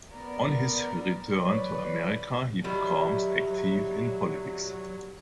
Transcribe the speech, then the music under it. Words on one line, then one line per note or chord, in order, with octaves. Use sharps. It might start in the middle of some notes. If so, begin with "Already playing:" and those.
On his return to America, he became active in politics.
B3 A#4 D5
F#3 B4 C#5 D5
D#3 F#3 G3 E4